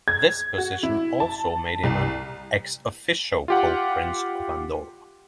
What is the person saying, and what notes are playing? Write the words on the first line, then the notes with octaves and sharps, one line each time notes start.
This position also made him an "ex officio" Co-Prince of Andorra.
G#6
F#4
E4
A5
C2
F4 G4 F#5